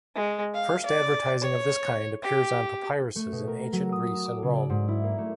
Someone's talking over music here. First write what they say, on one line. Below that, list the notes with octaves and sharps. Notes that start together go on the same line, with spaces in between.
First advertising of this kind appears on papyruses in Ancient Greece and Rome.
G#3
F5
D5
C#5
G4
A3
B2
A#4
F#3
D#6
D6
C#3
D5
G#2
E4
A#3
A3